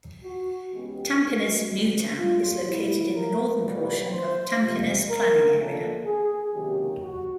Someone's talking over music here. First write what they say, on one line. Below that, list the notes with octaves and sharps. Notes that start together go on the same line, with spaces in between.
Tampines New Town is located in the northern portion of Tampines planning area.
F#4
C#2 C#3 E3 G#3 B3 G4
F#4
E2 C#3 E3 G#3 B3
F4
B2 G#3 B3 E4
A#4
B2 G3 A#3 B4
C5
C#2 C3 F3
A#4
D2 D3 F3 A#3 A4
G#4
C#2 C3 D#3 F#3 A#3 G4
F#4